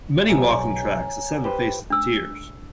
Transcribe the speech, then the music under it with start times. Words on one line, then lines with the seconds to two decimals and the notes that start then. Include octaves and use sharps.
Many walking tracks ascend the face of the Tiers.
0.29 B1 G4 C#5 E5 G#5 A#5
1.44 G4 B4 C5 G5
1.90 D4 E6